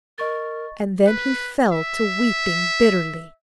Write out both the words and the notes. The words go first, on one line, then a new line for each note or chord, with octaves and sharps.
And then he fell to weeping bitterly.
A#4 D#5 C#6 A6
B4
E5